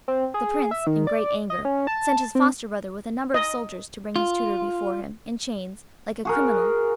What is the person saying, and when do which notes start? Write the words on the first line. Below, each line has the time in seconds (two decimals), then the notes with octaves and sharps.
The Prince, in great anger, sent his foster-brother with a number of soldiers to bring his tutor before him, in chains, like a criminal.
0.08 C4
0.34 G#4
0.71 E5
0.87 D#3
1.07 D5
1.50 D#5
1.65 C#4
1.87 A5
2.35 C4
3.34 D#5
4.16 F4
6.25 F#4 G#4 A#4